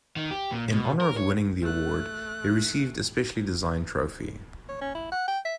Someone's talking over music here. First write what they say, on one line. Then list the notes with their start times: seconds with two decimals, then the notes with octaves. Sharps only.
In honor of winning the award, he received a specially-designed trophy.
0.16 D#3
0.31 G4
0.52 A#2
0.72 B2
1.01 A#4
1.17 C#5
1.62 A3 F#6
4.69 C#5
4.81 C#4
4.95 E4
5.12 F#5
5.28 G5
5.45 E5